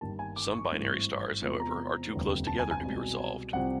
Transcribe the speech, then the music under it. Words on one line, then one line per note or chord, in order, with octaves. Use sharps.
Some binary stars, however, are too close together to be resolved.
G1 G2 D#3 G3 A#3 A5
G#5
D6
C#6
G#1 G2 E3 A3 C4
E2 C3 F3 G#3 C4
A#5
F1 D#2 D3 G3 B3
A5
G#5
G#5
C2 B2 G#3
C2 C3 F3 F#5